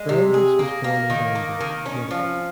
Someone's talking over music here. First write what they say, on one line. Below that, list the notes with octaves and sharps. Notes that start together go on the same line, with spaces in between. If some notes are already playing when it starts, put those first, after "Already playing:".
Brandis was born in Danbury, Connecticut.
Already playing: G#3
C3
G#4
A#3
A#3
D#3
A#3
D#3
C#4
F3